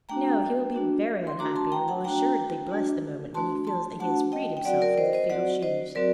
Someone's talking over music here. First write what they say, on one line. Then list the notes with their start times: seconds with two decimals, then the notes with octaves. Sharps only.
"No; he will be very unhappy, and will assuredly bless the moment when he feels that he has freed himself from the fatal shoes."
0.09 A3 D4 F#4 G5 A#5
0.75 A3 D4 F#4
1.27 C6
1.39 A3 D4 F#4 A#5 D6
1.56 A5 C6
1.72 G5 A#5
1.88 F#5 A5
2.04 A3 D4 F#4 G5 A#5
2.69 A3 D4 F#4
3.34 A3 D4 F#4 A5 C6
3.67 A5 C6
4.00 A3 D4 F#4 F#5 A5
4.32 D#5 G5
4.57 G5
4.65 F#3 C4 F#4 D5 F#5
4.82 A#4 D5
4.98 C5 D#5
5.13 C5 D#5
5.30 F#3 C4 F#4 D5 F#5
5.62 C5 D#5
5.95 F#3 C4 F#4 A#4 D5